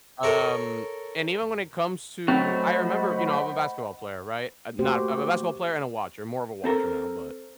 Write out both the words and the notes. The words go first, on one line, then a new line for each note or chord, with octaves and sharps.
um, and even when it comes to I remember you know, I'm a basketball player, right, I'm not I'm a basketball player and a watcher, more of a watcher now, but
A4 A#4 C#5
F#3 A3 C4 C5 D#5 F#5 B5
A3 A#3 F#4 G4 C5
C4 A4 A#4